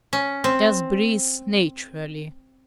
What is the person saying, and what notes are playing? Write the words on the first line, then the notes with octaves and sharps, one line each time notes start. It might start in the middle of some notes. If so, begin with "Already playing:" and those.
"Just breathe naturally."
C#4
C4